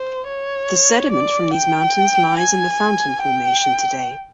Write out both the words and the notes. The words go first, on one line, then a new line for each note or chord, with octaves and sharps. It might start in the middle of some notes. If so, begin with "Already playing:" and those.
The sediment from these mountains lies in the Fountain Formation today.
Already playing: C5
C#5
D5
G5
G#5
G5